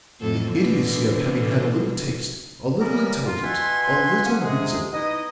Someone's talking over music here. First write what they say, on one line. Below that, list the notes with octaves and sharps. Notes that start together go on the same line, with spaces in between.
The idiocy of having had a little taste, a little intelligence, a little reason.
F2 A2 A4
B2 D3 E3
E3 F#3 G3 B3 G4 A#4
F4
B2 B4 E5 F#5 G#5 C6
C2 A#3 C#4 F#5 G#5
C3 G#3 G#4
B3 D#4 E4 D#5